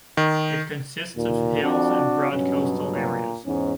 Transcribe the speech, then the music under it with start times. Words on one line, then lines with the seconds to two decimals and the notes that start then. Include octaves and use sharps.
It consists of hills and broad coastal areas.
0.17 D#3
1.16 D#2 A#2
1.63 F2 C4 D4 F#4
2.32 G2 B2 F#3 C#4
2.93 A#2
3.45 E2 G#2 C#4